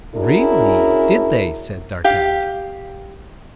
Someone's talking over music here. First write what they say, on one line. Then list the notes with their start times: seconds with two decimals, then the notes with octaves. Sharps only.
"Really, did they?" said D'Artagnan.
0.15 C#4 D4 E4 F#4 G#4 A#4
2.04 G4 F5